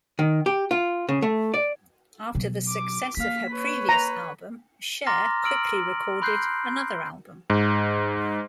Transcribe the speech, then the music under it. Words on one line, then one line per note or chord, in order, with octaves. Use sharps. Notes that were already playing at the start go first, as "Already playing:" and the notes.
After the success of her previous album, Cher quickly recorded another album.
D#3
G4
F4
C#3
A3
D5
B2 F#3
D6
A#3 F5 B6
B4 C#5
A#5
A#5 C6 D6 F6 A6 A#6
E6 F6 D7 F#7
B5 C6 F#6 G6 C7
G#2